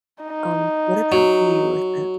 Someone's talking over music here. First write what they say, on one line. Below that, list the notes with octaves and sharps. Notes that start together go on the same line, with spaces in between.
Um, what about you with it?
D#4
F#3